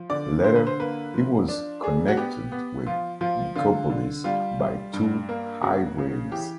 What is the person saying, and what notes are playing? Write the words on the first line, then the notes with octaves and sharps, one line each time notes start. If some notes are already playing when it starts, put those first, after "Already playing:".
Later it was connected with Nicopolis by two highways.
Already playing: F3
D3 D5
D3 C5
B4
C5
A#3 B4
F3
D4
D4 G#4
F#4
B3 G4
B3
F3 F4
F3 F4
D3 F4
D3
G3 F4
G3
G2
A#3
C#3 F#4
C#3
E3 G4